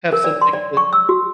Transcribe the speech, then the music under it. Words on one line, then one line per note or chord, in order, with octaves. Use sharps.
have something that
A#4
D5
C6
D5
C#6
E6
F#4